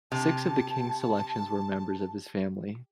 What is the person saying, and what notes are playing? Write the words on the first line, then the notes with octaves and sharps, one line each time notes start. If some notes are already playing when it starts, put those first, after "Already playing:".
Six of the King's selections were members of his family.
C3 A5